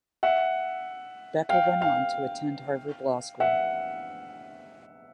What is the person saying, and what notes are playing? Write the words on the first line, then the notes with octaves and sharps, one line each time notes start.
Becker went on to attend Harvard Law School.
E5 F#5
F5 G5
F5 G5
E5 F#5